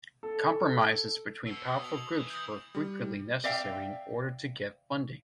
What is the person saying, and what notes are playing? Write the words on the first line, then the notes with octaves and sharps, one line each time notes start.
Compromises between powerful groups were frequently necessary in order to get funding.
A4
B2 E6 C7
D#6
F7
F7
E3
D#6 G6
G3
D5 E5 F5 G5